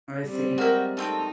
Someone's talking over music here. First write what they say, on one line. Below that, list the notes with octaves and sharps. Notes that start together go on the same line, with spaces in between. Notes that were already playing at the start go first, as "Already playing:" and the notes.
I see.
G3 C4
G#3 F#4 A#4 E5 G5
A3 C4 D#4 G5